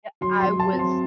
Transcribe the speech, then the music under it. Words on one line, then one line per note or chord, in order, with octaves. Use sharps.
Yep, I was
F#3 C6
C6
F#3
A5
C4
C6